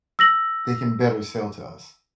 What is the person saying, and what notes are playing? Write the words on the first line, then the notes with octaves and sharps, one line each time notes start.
they can better sell to us.
E6 A#6 F#7